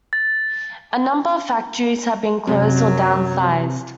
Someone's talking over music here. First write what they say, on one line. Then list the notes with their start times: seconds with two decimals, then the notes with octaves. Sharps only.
A number of factories have been closed or downsized.
0.13 A6
2.47 F#2 C3 F#3